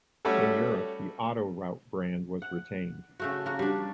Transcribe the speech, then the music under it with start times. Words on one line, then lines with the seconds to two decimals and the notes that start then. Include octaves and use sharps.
In Europe the Autoroute brand was retained.
0.25 G3 A3 C#4 F#4 A4
2.42 F#5
3.20 C#3 A3 F#4
3.46 A#3 F#4
3.59 G3 D4